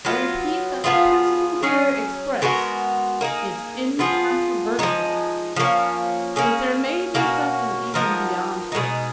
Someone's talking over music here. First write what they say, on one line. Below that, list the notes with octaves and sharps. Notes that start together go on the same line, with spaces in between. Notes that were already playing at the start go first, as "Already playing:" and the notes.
I repeat that the principle here expressed, is incontrovertible; but there may be something even beyond it.
F#3 B3 F4
F3 B3 F4 G#4
F#3 C#4 G#4
G#3 B3 F#4 A#4
A#3 D#4 G#4
F3 B3 F4 G#4
F3 G#3 D#4
F3 A#3 C#4
A#3 C#4 G#4
B2 A#3 C#4 F#4
F3 B3 D#4 A#4
B2 G#3 D#4